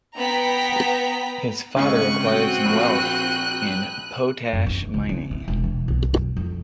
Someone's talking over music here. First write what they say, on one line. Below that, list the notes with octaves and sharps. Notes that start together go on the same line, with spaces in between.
His father acquired some wealth in potash mining.
B3 G5 A#5 B6
G#1 C#3 C#6 F#6 D#7
C4 F#4 G5
A#1
F#2
D#4
C#2
C#4
E3
E1
E3
B1
F#2
F2